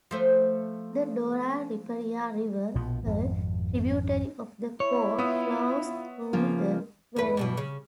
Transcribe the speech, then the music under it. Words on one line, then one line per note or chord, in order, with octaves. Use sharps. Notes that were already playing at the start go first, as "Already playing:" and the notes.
The Dora Riparia river, a tributary of the Po, flows through the valley.
F3 A3 C5
A#1 B2 F3
G#1 F2
E4 C#5
B3 F4 E5 D#6
C#3 F3 A#3
E2 G2 B4
G2 B2 E3
C#3